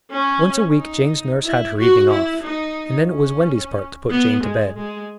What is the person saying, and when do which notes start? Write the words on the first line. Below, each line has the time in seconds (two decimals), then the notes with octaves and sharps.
Once a week Jane's nurse had her evening off; and then it was Wendy's part to put Jane to bed.
0.11 C#4
0.77 D#4
1.44 E4
1.78 F#4
2.10 E4
2.43 D#4
3.09 C#4
4.10 B3
4.43 G#3
4.76 G#3